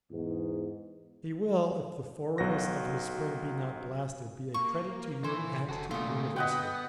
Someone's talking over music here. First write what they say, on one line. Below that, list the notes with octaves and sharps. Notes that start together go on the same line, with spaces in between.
He will, if the forwardness of his spring be not blasted, be a credit to you, and to the University.
E2 G#2
B1 F#3 F#4 B4 A#6
A#3 C#6
A#2 E3 C5
F#1 F#4 A4
A#2 D3 A3 F4 D#6
B3 D#5 F#5 G5